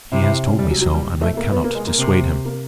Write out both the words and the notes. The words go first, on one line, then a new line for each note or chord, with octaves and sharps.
He has told me so, and I cannot dissuade him.
C3 E4
E4
C#4
G3
F#3
F#3
G3
A3
A#3
B3
A#3
G#3
A#3
C3
A#3